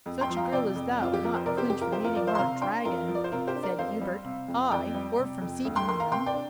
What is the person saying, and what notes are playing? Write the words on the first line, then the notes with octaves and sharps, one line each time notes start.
"Such a girl as that would not flinch from meeting our Dragon," said Hubert; "aye, or from seeking him."
F2
G5 C6
F3
F5 A#5
C3 D5 G5
F2
F2 F4
G4
F3 A#4
C5
C3 A#4 D5
G4 C5
F2 G4
F4 A#4
F2 G4 C5
F4 A#4
F3 A#4 D5
C5 F5
C6
C3 F5 A#5
D4 G5 C6
F2 F4 A#4
F3
D5
C5
C3 F4 A#4
G4 C5
D4
A#4 D5
F2 C5 F5
G3
C3
F2
F2 D5 G5
G3
C3
F2
D2
G5 C6
A#3 G5 C6
F5 A#5
C3 G5 C6
D5 G5
D4